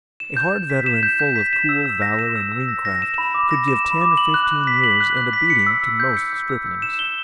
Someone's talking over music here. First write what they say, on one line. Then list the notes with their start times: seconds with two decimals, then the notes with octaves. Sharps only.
A hard veteran full of cool valour and ring-craft, could give ten or fifteen years and a beating to most striplings.
0.20 E7
0.37 G6
0.53 G6
0.70 B6
0.86 E7
1.03 G6
1.20 G6
1.36 B6
1.53 E7
1.69 E6
1.86 E6
2.02 A#6
2.19 E7
2.36 E6
2.52 E6
2.68 A#6
2.85 A#6
3.02 E7
3.18 B5
3.34 D6
3.51 A#6
3.68 E7
3.85 B5
4.01 D6
4.17 F#7
4.34 F#6
4.51 F#6
4.67 B6
4.84 F#7
5.00 F#6
5.17 F#6
5.33 B6
5.50 C#7
5.67 E6
5.83 E6
6.00 G6
6.17 C#7
6.33 E6
6.49 E6
6.66 G6
6.82 E7
6.99 G7